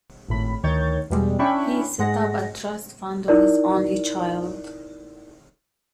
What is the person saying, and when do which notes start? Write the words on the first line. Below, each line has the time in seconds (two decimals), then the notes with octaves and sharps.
He set up a trust fund for his only child.
0.28 G#1 A2 B5
0.63 D2 D#3 C#5 C#6 G6 A6
1.10 E2 B2 G3 G#3
1.39 C#4 D4 E4 G5 B5 C#6
1.99 G#2 G#3 F#5 A#6
3.28 D#4 E4 A#4 D5